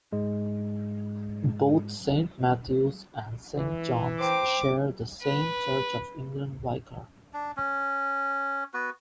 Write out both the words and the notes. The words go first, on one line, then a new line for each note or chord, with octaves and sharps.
Both Saint Matthew's and Saint John's share the same Church of England vicar.
G#2 G#3
E3
C5 G5 A#5 D6
B4
D4
C#4
B3 F#4 B4